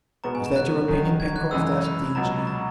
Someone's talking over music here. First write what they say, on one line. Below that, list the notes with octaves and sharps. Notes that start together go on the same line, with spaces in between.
"Is that your opinion, Pencroft?" asked the engineer.
B2 G#3 B3 F#4 A#5
G#5
A#5
F#6
D#3 F#3 C#4 F#4
G#6
F#6
F#2 C#3 E3 G#3 E6
B5
C#2 B2 F#3 A#5
A#5